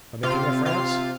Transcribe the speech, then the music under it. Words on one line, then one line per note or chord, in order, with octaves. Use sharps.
"From the king of France?"
C3 F4 F5
C3 F4 F5